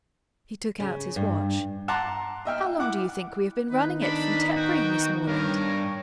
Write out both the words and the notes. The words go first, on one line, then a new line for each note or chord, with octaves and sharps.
He took out his watch: "How long do you think we have been running it from Tetbury, Miss Morland?"
C#3
G2
F#5 A5 A#5 C6 D6
D#5 E5 G5 F6
E4 F#5 D6
D#3 B3 D#4 B4
D4 B5
F#4 G5
G2 A#4 C#5